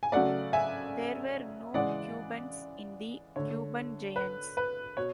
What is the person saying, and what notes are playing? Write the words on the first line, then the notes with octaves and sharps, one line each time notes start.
There were no Cubans in the "Cuban Giants".
G#5
C#3 F#3 A3 D5 F#5
E5 G#5
C#3 E3 G#3 D5 F#5
D3 A3 C#5
B4
B4
B2 C#5